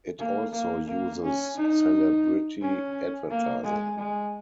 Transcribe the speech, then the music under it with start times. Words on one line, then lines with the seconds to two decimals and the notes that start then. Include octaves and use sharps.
It also uses celebrity advertising.
0.19 A#3
0.53 A#3
0.88 A#3
1.23 C#4
1.57 D#4
2.61 C#4
3.30 A#3
3.64 G#3
3.98 G#3